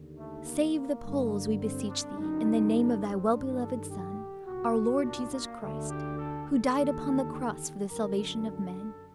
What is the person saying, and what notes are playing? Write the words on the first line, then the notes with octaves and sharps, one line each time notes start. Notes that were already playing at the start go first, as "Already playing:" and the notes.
Save the Poles, we beseech Thee, in the name of Thy well-beloved Son, our Lord Jesus Christ, who died upon the cross for the salvation of men.
Already playing: D#2 D3
A3
A#3
G2 D3
C4
D4
F#2 D3 D#4
D4
C4
G2 D#3 D4
A4
G4
C2 A#2 F#4
D4
A#3
D2 D3 A3
G4
A4
A4
D#2 D3
G4
F#2 D3 A#4
A4
A4